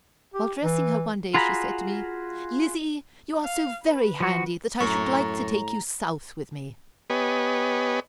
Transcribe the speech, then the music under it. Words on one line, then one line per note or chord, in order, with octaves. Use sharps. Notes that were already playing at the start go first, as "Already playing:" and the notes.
While dressing her one day, she said to me: "Lizzie, you are so very handy that I should like to take you South with me."
G4
E3
F4 F#4 G#4 A#5 B5
F5
B4
F3 F#4
F#2 A2 A#5 C#6
B3 G4 B4 C#5 D#5 G#5